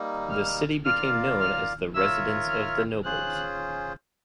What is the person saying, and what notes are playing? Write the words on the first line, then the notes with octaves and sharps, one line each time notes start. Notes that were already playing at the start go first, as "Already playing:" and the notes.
The city became known as the "residence of the nobles".
Already playing: G3 A#3 D#4
F6
F4 A#4 D5 F5 F6
F6
F4 A#4 C#5 E5 E6
F6
C#4 F4 G#4 C5 F#6